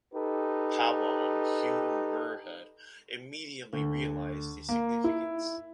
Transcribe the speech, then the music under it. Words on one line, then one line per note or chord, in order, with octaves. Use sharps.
Powell and Hugh Muirhead immediately realised the significance.
D#4 G4 A4 B4
D2
A#3
E4